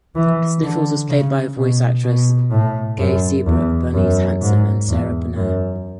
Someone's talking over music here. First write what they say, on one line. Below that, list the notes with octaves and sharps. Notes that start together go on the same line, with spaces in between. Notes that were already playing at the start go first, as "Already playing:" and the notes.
Sniffles was played by voice actresses Gay Seabrook, Bernice Hansen, and Sara Berner.
E3
D3
C#3
B2
B2
A2
F#2
E2
F#2
G#2
E2
F#2